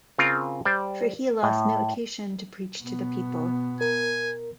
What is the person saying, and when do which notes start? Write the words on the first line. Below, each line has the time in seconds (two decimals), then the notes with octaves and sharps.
For he lost no occasion to preach to the people.
0.18 C#3 C4 F4 A#4
0.65 G3 C5 D5
1.43 A2
2.82 B2 B3
3.81 A#4 G#5